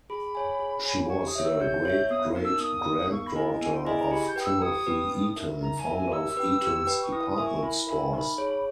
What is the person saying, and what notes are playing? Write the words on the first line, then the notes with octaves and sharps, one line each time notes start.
She was the great-great-granddaughter of Timothy Eaton, founder of Eaton's department stores.
G#4 B5
C#5 G#5
G#4
C#5 G#5
G4 C#6
D#6
C#5 E5
E6
G4 G6
C#5 E5
B3 D#6
D#4 A#4
E6
B3 D#6
D#4 A#4
B3 C#6
B5
E4 G#4 D#5 G#5
B3 G#5
G5
E4 G#4 D#5 E5 G#5
A#5
G4 B5
G6
B4 G5 D#6
E6
G4 D#6
B4 G5
D#4
A#4 E5
D#4 A#5
G#5
A#4 E5
G#5
G4 E6
B4 G5
G4
B4 G5
C#6
E4 D#6
D#6
A#4 E5 G#5
C#6
E4 B5
A#4 E5 G#5
D#4 B5 C#6
G#4 C#5